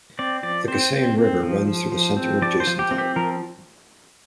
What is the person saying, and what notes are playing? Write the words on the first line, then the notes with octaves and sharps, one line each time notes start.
The Kesang River runs through the center of Jasin Town.
C4 D5
F3 D5
C4 C5
C4
C4
F3
F3
F3
C4
F3 D5
C5
F3
G4
C4
G4
F3 A#4